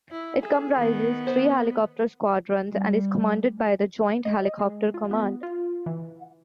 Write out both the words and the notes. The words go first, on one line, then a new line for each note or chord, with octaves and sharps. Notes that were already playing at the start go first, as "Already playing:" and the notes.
It comprises three helicopter squadrons and is commanded by the Joint Helicopter Command.
E4
G#4 A4
D#3 B3
C5
G3
D#5
G#3
F4
B3
F4
E3